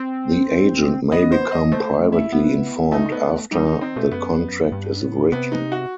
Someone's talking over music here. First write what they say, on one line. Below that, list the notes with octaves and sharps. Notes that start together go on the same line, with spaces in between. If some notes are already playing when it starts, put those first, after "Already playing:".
The agent may become privately informed "after" the contract is written.
Already playing: C4
B3 D#5
C5
D#5
A3 C5
E4
B3
A3 D#4
B3
G3 D#4
D#4
D#3 C4
B2 A3
F#2 B3
G2
A2
C3 B3
D#4
F#4